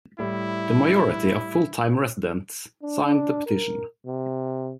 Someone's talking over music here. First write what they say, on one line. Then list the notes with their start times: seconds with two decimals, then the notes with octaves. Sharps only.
The majority of the full-time residents signed the petition.
0.19 A2 G3 E4
2.83 D4
3.46 A#4
4.06 C3